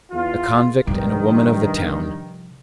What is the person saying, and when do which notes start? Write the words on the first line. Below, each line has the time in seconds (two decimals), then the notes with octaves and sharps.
A convict and a woman of the town.
0.12 E2 F4
0.87 G2 C3 D#3 F3